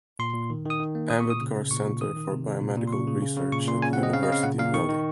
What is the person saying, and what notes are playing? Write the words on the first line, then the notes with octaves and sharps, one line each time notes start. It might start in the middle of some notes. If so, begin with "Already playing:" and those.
Ambedkar Centre for Biomedical Research at the University of Delhi.
A#2 C6
A#2
D#3
D#3
D#6
D#3
A#3
A#2 D#6
C#6
A#2 D#6
C#3
C#3
A#2 C#6
A#2
D#3 D#6
D#3
C3
C3
A#2
A#2
C6
C#3 C#6
C#3
C#3
C#3
A#2 C#6
A#2 C6
C#3 G#5
F#5
C4
D#5
C#3 F5
D#5
C#3 F5
A#2 F#5
A#2 F5
D#3 C#6
D#3